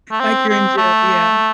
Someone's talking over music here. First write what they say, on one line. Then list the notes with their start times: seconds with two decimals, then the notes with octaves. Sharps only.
Like you're in jail, yeah.
0.12 A3
0.20 C4
0.49 C4
0.78 A3